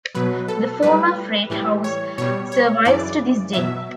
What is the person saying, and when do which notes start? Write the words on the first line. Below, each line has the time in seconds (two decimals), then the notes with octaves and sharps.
The former freight house survives to this day.
0.15 B2 F#3 B4
0.48 A4
0.82 A2 G3 B4
1.50 A2 E3 G3
1.84 C#5
2.18 B2 G3 C#5
2.52 C#5
2.85 F#2 C#3 E3 D5
3.53 B2 F#3 E5